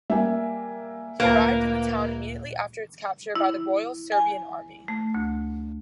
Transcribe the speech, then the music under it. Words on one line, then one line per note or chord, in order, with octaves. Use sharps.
He arrived in the town immediately after its capture by the Royal Serbian Army.
G3 A#3 E5 G#5
D2 A#2 A#3 B4 F5 A#5 F#6
E4
G#5
A3
D2